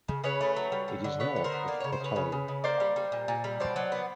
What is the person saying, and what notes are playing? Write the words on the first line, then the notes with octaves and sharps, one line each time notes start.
It is north of Poteau.
C#3
C#3 B4 C#5
A3
F#3
G3
D3
D3
B3 B4 C#5
D3
A#4 C5
B3
A#3 D5
C#3 C#5
C5
C#3 B4 C#5
C#3
C#3
C#3
A#3 C5 D5
G3
G3
A#2
A#2
G3
B2 C5 D5
F#3
B3